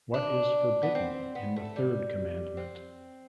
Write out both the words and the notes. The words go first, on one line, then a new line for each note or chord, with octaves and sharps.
What is forbidden in the third commandment?
D4
B3
C4
B3
A3
G3
C4